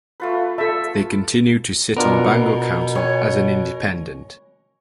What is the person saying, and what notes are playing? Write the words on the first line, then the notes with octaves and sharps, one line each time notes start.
They continued to sit on Bangor Council as an independent.
A3 F4 B4
A4 E5 A5
B2 B3 D4 F4 A#4
C#5 G#5